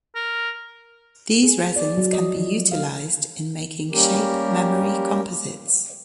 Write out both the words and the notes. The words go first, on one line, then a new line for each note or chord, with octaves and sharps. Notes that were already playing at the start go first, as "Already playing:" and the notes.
These resins can be utilized in making shape memory composites.
A#4
G#4
D5
F#3
D#5
F3
F5
G3 A#3 C#4 G4 A#4